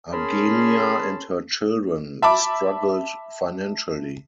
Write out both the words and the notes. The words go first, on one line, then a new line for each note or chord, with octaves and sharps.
Argelia and her children struggled financially.
C#4 G#4 A#4 A5 B5 C6
E5 A5 B5 D6